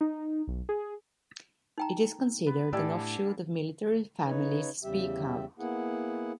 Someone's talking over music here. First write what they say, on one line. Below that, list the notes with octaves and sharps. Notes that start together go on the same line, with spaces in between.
It is considered an offshoot of Military Families Speak Out.
D#4
B1
G#4
D#4 G5 A#5
B3 B4
A2 D3 G4 D5 G#5 A5 E6
C#3 D#4 B4 C#5
E2 C#3 G3 G4 E5
A#3 B3 E4 G#4 F#5